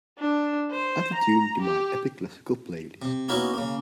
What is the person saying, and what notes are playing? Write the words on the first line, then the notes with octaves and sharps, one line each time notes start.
Add the tune to my Epic Classical playlist.
D4
C5
A#5
G4
C3
A#3 B3 C#4 D#4 E4 F#4
C#3 A#3